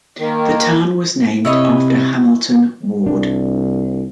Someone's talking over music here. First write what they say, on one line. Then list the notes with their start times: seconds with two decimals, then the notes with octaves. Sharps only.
The town was named after Hamilton Ward.
0.19 D#3 A#3
1.45 C3 E4 C#5 D#5
3.06 C2 D4